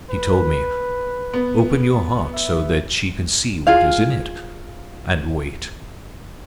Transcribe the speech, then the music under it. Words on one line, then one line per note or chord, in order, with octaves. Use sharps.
He told me: 'Open your heart so that she can see what is in it--and wait.
B4
B3
E5
F4 G#4 F5